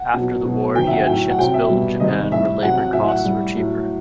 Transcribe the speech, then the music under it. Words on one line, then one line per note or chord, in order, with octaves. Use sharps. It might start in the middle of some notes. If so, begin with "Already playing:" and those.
After the war, he had ships built in Japan, where labor costs were cheaper.
Already playing: F#5
B2 F#3
B2 F#3
C3 D#3 F#3 G5
E5
F#5
A2 F#3 G5
F#5
C3 F#3 G5
E5
B2 G3
C3 D#3 G3 D#5
A2 G3 E5
C3 F#3 F#5
F#5
A2 F#3 E5
F#5
A2 G3
A2 F#3